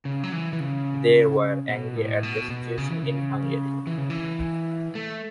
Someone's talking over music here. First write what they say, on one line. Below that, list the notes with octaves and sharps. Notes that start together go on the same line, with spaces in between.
They were angry at the situation in Hungary.
C#3
F#3
E3
E3
C#3
B2
A2
B2
B2
C#3
E3
C#3
E3
C#3
E3
A3